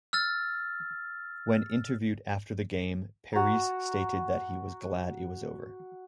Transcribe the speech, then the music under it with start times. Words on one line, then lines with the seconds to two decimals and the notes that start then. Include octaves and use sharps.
When interviewed after the game, Parise stated that he was glad it was over.
0.13 E6 F6 A6
3.33 F#4 A#5